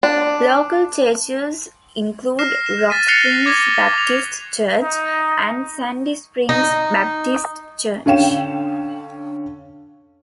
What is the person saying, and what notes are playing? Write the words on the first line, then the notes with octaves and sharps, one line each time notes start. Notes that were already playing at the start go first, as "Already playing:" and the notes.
Local churches include Rock Springs Baptist Church and Sandy Springs Baptist Church.
D4
F6 A#6 C7 E7
E7
A6 B6 D#7
F#6 A#6 C7 C#7 F7 G7
D6 G#6 A#6
D6 F7
D#4
D#4
D3 C#4 F5 G5 E7